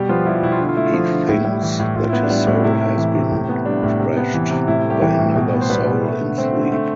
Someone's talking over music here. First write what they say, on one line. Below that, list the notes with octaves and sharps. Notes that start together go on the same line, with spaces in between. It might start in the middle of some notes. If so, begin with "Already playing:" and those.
He thinks that his soul has been thrashed by another soul in sleep.
Already playing: B2 G3 G4
F3 B3 F4
G3 E4
F4
B2 E4
F4
D3 E4
F4
A3 E4
F4
F3 E4
D3
A2 E4
G3
E3
A2
A2 F4
B3 E4
D4
G3
E4
A2
C3 E4
A3
E3
C3
A2
B3
G3 D4
A2 E4
C3
B3
E3
C3
A2 E4
E4
A3
G3 G4
E3 G3 G4
A2
B2
B3
C5
G3 B3 B4
B2
A3
D3
A3 C4 C5
D3
A3